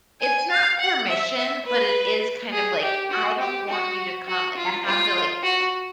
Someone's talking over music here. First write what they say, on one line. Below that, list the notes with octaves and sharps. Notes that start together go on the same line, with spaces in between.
"It's not permission, but it is kind of like, I don't want you to come. Like, I have to, like,
G#5
F5
F#5
E5
E5
B4
G#4
G4
F#4
G4
F#4
F#4
F4
F4
F#4